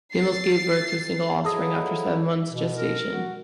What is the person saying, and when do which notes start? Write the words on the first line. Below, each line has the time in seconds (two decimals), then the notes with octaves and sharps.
Females give birth to a single offspring after seven months' gestation.
0.13 A6 C7
1.45 F3 F#3 E4 G#4 A4 D#5
2.48 B2
2.76 A#4
3.11 F#4